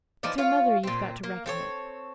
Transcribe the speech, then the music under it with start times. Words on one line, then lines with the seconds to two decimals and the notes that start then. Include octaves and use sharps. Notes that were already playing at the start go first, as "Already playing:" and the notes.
It's her mother you've got to reckon with.
0.23 E3 F3 D#4 D5
0.38 F4 C#5 F5
0.83 A#2 C4
1.23 A#3
1.46 C4 A4 C#5